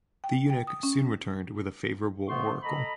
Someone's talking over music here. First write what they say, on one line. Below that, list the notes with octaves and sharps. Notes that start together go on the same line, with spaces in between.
The eunuch soon returned with a favorable oracle.
G5
G5
D#6
C#4
F2 D3 A3 B3 C6 C#6
A4 D#5 A#5 B5